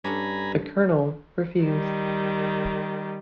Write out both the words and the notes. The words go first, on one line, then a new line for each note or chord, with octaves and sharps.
The colonel refused.
G2 C#4 D4 A4 G#5 A#5 B5
D#3 G3